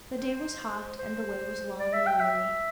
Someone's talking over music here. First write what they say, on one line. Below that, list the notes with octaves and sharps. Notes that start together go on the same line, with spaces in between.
The day was hot, and the way was long and weary.
C5
C5
D5
E5
G5
E5